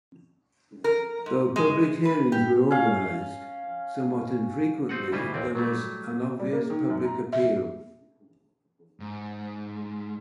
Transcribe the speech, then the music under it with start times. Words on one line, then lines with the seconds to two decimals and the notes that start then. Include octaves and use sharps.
Though public hearings were organized somewhat infrequently, there was an obvious public appeal.
0.84 A#4
1.26 G#2
1.56 G#3
2.05 B4
2.32 G4
2.71 C#4 F5
4.89 C4 D#4 F4 F#4 F#5
5.12 D2 B2 G3 E4 F4 D#5
5.34 A1 D#2 C4 D5
5.55 F#3 G3 A3
6.39 G3
6.53 A#3
6.70 D#3
6.90 F#2
7.05 A#5
7.33 E5
9.00 G#2